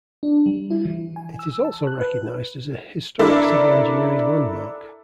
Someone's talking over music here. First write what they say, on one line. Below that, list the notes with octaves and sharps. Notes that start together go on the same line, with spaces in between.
It is also recognized as a Historic Civil Engineering Landmark.
D4
G3
E4
E3
G#5
E6
A5
F#6
B4
D4 E4 A4 A#4 D5 E5